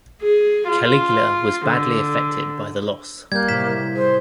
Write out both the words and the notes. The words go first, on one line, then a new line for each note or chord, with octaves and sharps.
Caligula was badly affected by the loss.
G#4
F4
D3
G3 A#3 G6 G#6
A2 C3 B6 E7
G#4 C5